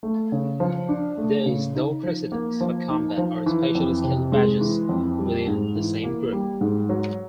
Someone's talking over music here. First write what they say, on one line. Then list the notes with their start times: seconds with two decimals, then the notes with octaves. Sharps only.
There is no precedence for combat or special skill badges within the same group.
0.03 A3
0.32 C#3
0.60 F3
0.89 D4
1.18 A3
1.46 C#3
1.75 D#4
2.03 F3
2.32 A#3
2.61 F3
2.89 D#4
3.18 F3
3.46 E3
3.75 F2
4.04 C3
4.32 G#3
4.61 E3
4.89 F2
5.18 G3
5.47 G#2
5.75 E3
6.04 A#3
6.33 G3
6.61 G#2
6.89 F#3